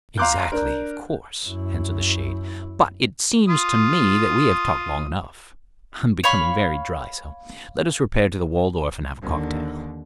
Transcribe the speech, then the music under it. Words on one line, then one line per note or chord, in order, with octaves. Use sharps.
"Exactly, of course," answered the shade; "but it seems to me that we have talked long enough; I am becoming very dry, so let us repair to the Waldorf and have a cocktail."
F5 A#5 C6 D6 F#6 G6
D4 A#4
F#2 E4
F4 D#6
C#5 F5 B5 C#6
D#2 D3